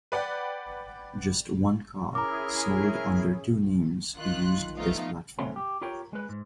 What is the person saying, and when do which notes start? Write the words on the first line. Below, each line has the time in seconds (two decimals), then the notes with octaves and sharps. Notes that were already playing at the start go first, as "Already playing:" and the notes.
Just one car, sold under two names, used this platform.
0.12 B4 D5 F#5 G5
2.15 C#4 E4 G#4 A#4 A#5 D6
4.17 D#3 F4 F#6
4.78 F3 A3 B3 D#4 F4
5.38 C#3 F#3 A3 A#3 C4 C#4
5.56 G4
5.82 F4 G4 A#4 C#5 G5
6.13 G#3 B4
6.29 G#2